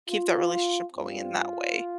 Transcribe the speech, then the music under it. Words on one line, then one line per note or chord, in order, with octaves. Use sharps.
keep the relationship going in that way,
F4
G2 G3 C4 F4